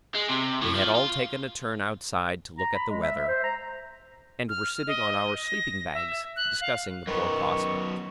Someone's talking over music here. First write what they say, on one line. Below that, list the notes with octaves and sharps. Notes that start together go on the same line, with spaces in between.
We had all taken a turn outside to look at the weather, and were sitting on our sleeping-bags discussing the poor prospect.
G#3
C3
A2
F3
F4
A#5
B5
G#3
E5
E5
C5
A#5
F6
D#5
A#6
E5
F#6
F5
F#2 D#3 B3 C#6